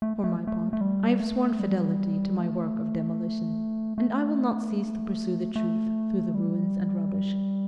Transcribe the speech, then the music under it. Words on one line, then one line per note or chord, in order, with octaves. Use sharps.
For my part, I have sworn fidelity to my work of demolition, and I will not cease to pursue the truth through the ruins and rubbish.
A3
A3
A3
A3
G3
A3
G3
A3
A3
A3
G3